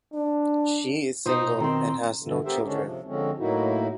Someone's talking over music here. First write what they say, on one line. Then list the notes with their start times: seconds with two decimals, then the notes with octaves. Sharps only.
She is single and has no children.
0.13 D4
1.26 B2 D#4 F4 C5
1.61 D#3 C4 A#5 C6
2.23 G2 D3 E3
2.45 B3 G4 A#4 C5 E5
2.64 D3 D#3 G#3 C#4 D4
2.83 C3 F3
3.07 D3 F3 G#3 C4 C#4
3.39 A2 F#3 A#3 D#4 E4 F#4